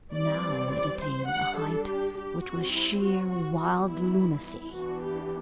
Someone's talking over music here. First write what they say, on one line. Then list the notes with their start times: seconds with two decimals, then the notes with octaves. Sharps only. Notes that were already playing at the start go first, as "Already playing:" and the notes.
Now it attained a height which was sheer wild lunacy.
0.12 E3 G3 C4 D5
0.70 D5
0.99 C5
1.27 G3 D4 F#5
1.57 A4
1.85 G4
2.15 G4
2.42 G3 C4 F#4
2.72 E4
3.01 F#4
3.29 F#4
3.58 E3 G3 B3 F#4
3.87 E4
4.45 E4
4.74 E3 B3 D4 F#4
5.02 G4